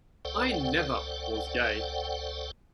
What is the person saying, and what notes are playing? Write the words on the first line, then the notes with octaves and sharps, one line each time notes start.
I never was gay.
C#2 A4 C5 D5 F#5 G5